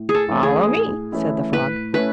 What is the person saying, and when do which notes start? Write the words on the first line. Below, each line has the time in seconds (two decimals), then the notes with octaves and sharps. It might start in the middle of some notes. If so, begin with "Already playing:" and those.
"Follow me," said the frog.
Already playing: A2
0.09 G#4
0.15 A4
0.29 E3 A3 C#4 E4
0.43 G#4
0.70 A2
1.12 E3 A3 C#4 E4
1.53 A2 B4
1.94 A3 C#4 E4 B4